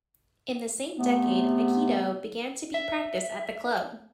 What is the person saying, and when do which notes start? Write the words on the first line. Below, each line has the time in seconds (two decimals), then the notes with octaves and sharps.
In the same decade aikido began to be practiced at the club.
0.98 C3 A3 B3
2.74 E5